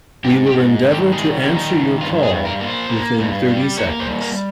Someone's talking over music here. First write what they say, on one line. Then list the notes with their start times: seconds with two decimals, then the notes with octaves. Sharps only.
We will endeavour to answer your call within thirty seconds.
0.24 G#2 G4
0.46 G4
0.54 G#2
0.83 D#3
0.91 G4
1.12 G3 G#4
1.42 D#3
1.57 D#4
1.72 G#2
2.01 G2 F4
2.23 G#4
2.30 G2
2.45 A#4
2.60 A#3
2.67 C5
2.89 A#3
3.19 G2
3.49 G3
3.78 A#3 C#5
4.00 C5
4.07 G3
4.22 A#4